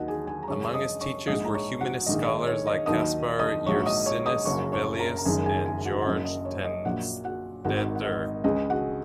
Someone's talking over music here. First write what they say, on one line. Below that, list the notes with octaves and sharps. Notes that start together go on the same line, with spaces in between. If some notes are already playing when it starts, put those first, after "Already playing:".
Among his teachers were humanist scholars like Kaspar Ursinus Velius and Georg Tannstetter.
Already playing: D#2 D#3 F#3 F#4 D#5 F#5
G#4 G#5
G#4 G#5
A#5
F#2 C#3 G#3 C#5 C#6
D#5 D#6
C#5 C#6
A#1 G#2 G#3 D#5 D#6
A#5
C#5 C#6
F#4 F#5
A#1 G#2 D#3 G#3 D#5
C#5
C#5
D#5
D#2 D#3 F#3 D#5 D#6
D#5 D#6
A#1 G#2 F#3 C#5 C#6
D#5 D#6
C#5 C#6
D#5 D#6
F#1 F#2 C#3 F#3 C#5 C#6
C#5 C#6
A#4 A#5
A#5
F#1 F#2 D#3 G#3 G#4 G#5
G#4 G#5
G#4 G#5
G#5
F#4 F#5
F#5
F#1 F#2 F#3 D#5
D#5
C#5
D#5
A#1 A#2 F#3 F#4 F#5
F#4 F#5
G#1 G#2 D#3 F#4 F#5
F#5
D#5
C#2 C#3 G#3 D#5
F#4 F#5